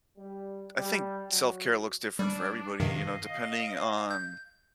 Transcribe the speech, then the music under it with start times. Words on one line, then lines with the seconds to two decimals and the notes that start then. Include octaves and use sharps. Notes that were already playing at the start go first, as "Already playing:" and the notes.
I think self-care looks different for everybody, you know, depending on
0.16 G3
0.77 G3
1.29 F#3
2.19 G3 D4
2.80 G2 C3 D#3 D#5 F5
4.11 G6